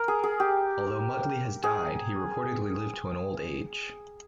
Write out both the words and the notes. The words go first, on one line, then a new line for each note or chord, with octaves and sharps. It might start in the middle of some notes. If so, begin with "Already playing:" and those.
Although Muttley has died, he reportedly lived to an old age.
Already playing: A#4
G#4
G#4
G4
G#4